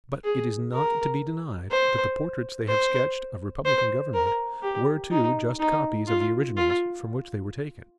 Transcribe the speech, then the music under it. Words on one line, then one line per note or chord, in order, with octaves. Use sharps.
But it is not to be denied that the portraits they have sketched of republican government were too just copies of the originals from which they were taken.
G#4
A#4
C5
C5
C5
A#4
G4
D#4
D#4
F4
F4